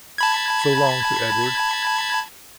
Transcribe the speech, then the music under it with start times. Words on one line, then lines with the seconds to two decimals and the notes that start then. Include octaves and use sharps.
"So long," to Edward.
0.18 A5 B5 G#6